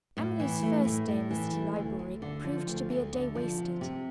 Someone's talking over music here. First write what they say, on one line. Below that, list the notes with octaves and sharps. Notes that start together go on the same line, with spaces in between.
Emily's first day in the City library proved to be a day wasted.
A2
E3
A3
A2
A2
E3
A3
D2
D2
D3
F3
D2
D2
D3
F3
C3
C3